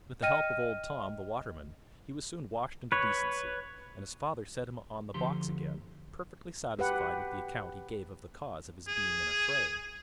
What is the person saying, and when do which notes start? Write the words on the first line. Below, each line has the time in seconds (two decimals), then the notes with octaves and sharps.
With the help of old Tom, the waterman, he was soon washed into decency, and his father set him on the box again, perfectly satisfied with the account he gave of the cause of his being in a fray.
0.22 D#5 G5 F6 A#6 D#7
2.92 B4 C#5
5.14 D2 D3 F3 G4 A#5 C6
6.79 G4 B4 F#5
8.88 G#4